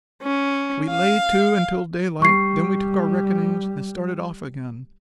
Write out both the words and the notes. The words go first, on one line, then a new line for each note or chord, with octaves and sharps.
We lay to until daylight; then we took our reckonings and started off again.
C#4
F5
G3 C#6 C7